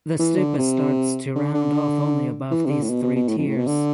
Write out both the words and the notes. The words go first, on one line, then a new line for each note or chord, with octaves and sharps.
The stupa starts to round off only above these three tiers.
E3
D3
C3
D3
D3
E3
C3
D3
A2
B2
B2
B2
A2
F2
A2
B2
D3